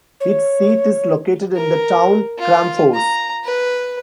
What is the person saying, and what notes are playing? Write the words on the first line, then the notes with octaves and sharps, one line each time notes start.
Its seat is located in the town Kramfors.
C#5
A#4
F4
A#5
B4